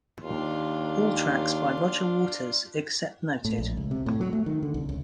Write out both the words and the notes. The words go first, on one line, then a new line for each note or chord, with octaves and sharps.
All tracks by Roger Waters except noted.
D#2 D4 F4
A2
A#1
C#2
C3
A2
F#3
A3
D#3
D3
C2
C#2